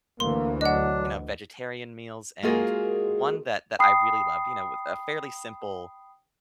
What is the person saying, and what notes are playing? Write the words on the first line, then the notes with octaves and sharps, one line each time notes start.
you know, vegetarian meals and one that that I really loved, you know, with a fairly simple,
D2 E3 A#3 C6
F#3 D4 D#5 F#5
G#3 A#3 F4 F#4 G#4 A#4
G5 B5 D#6 C7